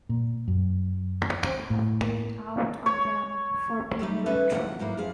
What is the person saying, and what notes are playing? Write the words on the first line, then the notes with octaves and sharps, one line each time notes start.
People have paid out on them for being retro.
A#2
F#2
A2
C#5
F#3 G3 A3 D#4
B3 C#4 A4 B4 E5
F2 G#4 F#5
G#2 F#3 A#3 E4
F#2 F3 G#4 F5